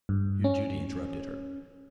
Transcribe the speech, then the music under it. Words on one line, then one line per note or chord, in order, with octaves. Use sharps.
Here Judy interrupted her.
G2
C#4